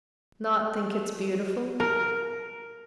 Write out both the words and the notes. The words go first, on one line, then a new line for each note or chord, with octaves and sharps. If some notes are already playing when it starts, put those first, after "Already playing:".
"Not think it beautiful?"
A#4